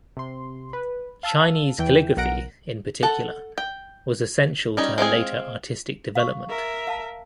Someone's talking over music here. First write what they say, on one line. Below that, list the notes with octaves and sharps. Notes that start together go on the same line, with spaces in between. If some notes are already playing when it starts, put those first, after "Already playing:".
Chinese calligraphy in particular was essential to her later artistic development.
C3 C6
B4
F5 A5 E6 D#7
E2 E3 G5
B1 A#4 F#5 A#6 D7
A4 F#5 A5
G5
G3 C#4 D#4 C#5
G#3 C4 F4 G#4
F5 C#6
A#4 E5
F5 A5 E6